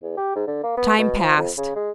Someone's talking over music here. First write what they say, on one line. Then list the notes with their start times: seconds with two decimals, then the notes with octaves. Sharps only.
Time passed.
0.03 E2
0.17 G4
0.35 G#2
0.47 D3
0.63 A#3
0.77 B3
0.98 B2
1.19 F3
1.37 F2
1.57 C#3
1.75 G#3